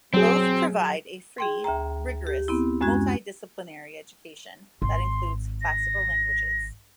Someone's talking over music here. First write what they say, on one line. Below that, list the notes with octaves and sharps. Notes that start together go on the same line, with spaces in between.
Both provide a free, rigorous, multi-disciplinary education that includes classical languages.
F#3 C4 G#4
G#4 G5 C6
D2 E5 G5 A#5
G4
B3 C4 E4
F#2 G#3 C#4 F#4 G#6
G#1 C6
A#6